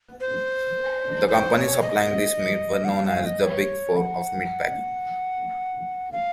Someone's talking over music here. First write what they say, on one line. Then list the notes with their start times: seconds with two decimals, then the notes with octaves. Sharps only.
The companies supplying this meat were known as the "Big Four" of meatpacking.
0.21 C5
1.28 C5
1.56 C#5
1.82 D#5
2.85 F#5
2.89 F5
3.07 F5
3.26 D#5
3.43 C#5
3.97 F#5
6.12 F5